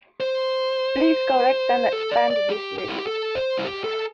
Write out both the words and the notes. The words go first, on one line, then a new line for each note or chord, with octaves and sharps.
Please correct and expand this list.
C5
A4
D5
D5
G4
G4
E4
G4
A4
C5
E4
G4
A4